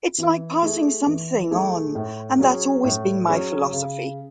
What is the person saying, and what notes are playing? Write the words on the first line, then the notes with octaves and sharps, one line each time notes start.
It's like passing something on and that's always been my philosophy.
E3
A3 E4 G#4
E3
A3 E4 G#4
A2
F#3 C#4 G#4
A2
F#3 C#4 G#4
C#3